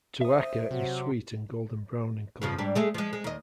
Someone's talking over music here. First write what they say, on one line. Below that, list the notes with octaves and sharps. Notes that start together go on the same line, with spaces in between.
Tuaca is sweet and golden brown in color.
C5 E5 D#6
C3 F#3 C4 F#4
F2 C#3 F3
G#2 G3 D4
G#3 A3 G#4
F3 G#3
G#3
D#2 D#5